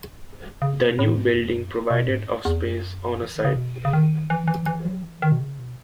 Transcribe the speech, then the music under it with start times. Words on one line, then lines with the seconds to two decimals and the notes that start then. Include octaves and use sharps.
The new building provided of space, on a site.
0.62 C#3
0.81 B2
0.99 A2
1.17 G#2
1.35 E2
1.53 F#2
1.90 B2
2.09 G#2
2.45 E2
2.64 F#2
3.23 E3
3.35 D#3
3.45 C#3
3.56 B2
3.85 C#3
3.93 D#3
4.30 E3
4.48 E3
4.66 E3
4.85 F#3
5.03 E3
5.22 D#3
5.32 B2
5.40 C#3
5.59 B2